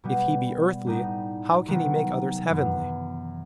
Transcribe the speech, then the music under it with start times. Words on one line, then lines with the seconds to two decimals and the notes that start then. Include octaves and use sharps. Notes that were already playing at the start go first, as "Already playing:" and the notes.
If He be earthly, how can He make others heavenly?
0.04 B2 G3 B3
0.86 A2 G3 B3 D#4
1.67 C3 D#3 F#3 B3
2.49 F#2 E3 B3